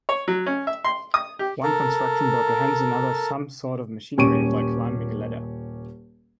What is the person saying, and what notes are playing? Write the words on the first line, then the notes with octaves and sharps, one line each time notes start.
One construction worker hands another some sort of machinery while climbing a ladder.
C#5
F#3
C#4
E5
C6
D#6
G4
A4 A#4
D#1 C#4 G4 C#6 D7 D#7